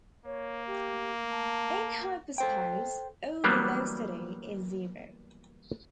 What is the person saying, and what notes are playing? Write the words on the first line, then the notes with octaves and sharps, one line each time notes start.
In Hyperspace, all velocity is zero.
A#3 C#5
G4
A5
A4 C5 G5
E3 F#3 G3 A#3 B3 D4